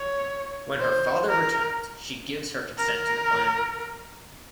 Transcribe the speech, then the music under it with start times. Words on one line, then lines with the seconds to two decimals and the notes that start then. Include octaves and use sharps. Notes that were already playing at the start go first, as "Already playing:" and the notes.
When her father returns she gives her consent to the plan.
Already playing: C#5
0.80 C5
1.29 A#4
2.78 A#4